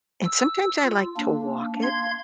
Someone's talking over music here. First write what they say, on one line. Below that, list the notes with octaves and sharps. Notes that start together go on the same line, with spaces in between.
and sometimes I like to walk it
E6
F4
A#3 D4
F5 C6 G#6